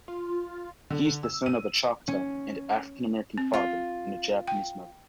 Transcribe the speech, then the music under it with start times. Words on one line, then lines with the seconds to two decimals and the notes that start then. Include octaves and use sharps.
He is the son of a Choctaw and African-American father and a Japanese mother.
0.08 F4
0.90 D3
1.23 E6
1.46 D#7
2.08 C#4
3.38 C4
3.54 F4
4.48 G5